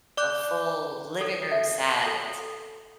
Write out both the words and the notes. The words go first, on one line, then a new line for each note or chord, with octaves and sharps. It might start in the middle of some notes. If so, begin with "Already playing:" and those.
a full living room set,
D5 D6 F#6 G6
A4
E5
A4